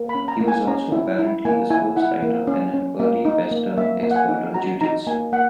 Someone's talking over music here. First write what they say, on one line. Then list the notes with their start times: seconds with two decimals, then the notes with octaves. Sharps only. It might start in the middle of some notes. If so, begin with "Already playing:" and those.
He was also apparently a sports writer and an early Western expert on Jiu-Jitsu.
Already playing: A#3
0.09 B5
0.15 C#4
0.28 A#5
0.40 A#3
0.48 G#5
0.67 C#4 A#5
0.92 E4
1.19 E4
1.45 A#3 G#5
1.70 E4 G#5
1.96 E4 F#5
2.23 A#3
2.47 C#4
2.74 C#4
3.00 A#3
3.25 D#4
3.52 A#3
3.77 A#3 E5
4.03 A#3
4.11 F#5
4.16 G#5
4.29 D#4
4.54 F#4 A#5
4.81 D#4 A#5
5.07 A#3 G#5
5.32 A#3 F#5